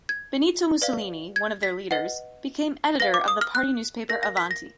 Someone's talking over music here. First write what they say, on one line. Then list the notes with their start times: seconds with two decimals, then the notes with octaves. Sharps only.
Benito Mussolini, one of their leaders, became editor of the party newspaper Avanti!
0.09 G#6
0.82 B4 D5 F5
1.36 G#6
1.63 B6
1.91 B4 D#5 F#5
3.00 B4 F5 A#6
3.14 D6
3.28 D#6
3.41 F6
3.55 F#6
4.09 A#4 F5 A#6
4.23 A#6
4.37 B6
4.51 A#6